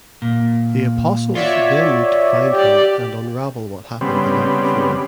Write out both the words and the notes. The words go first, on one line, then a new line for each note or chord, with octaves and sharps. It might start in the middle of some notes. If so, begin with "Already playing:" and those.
The apostles then need to find him and unravel what happened the night before.
A#2
F4 F#4 C#5 D5 E5
G4 D5
C#3 G3 B3 C4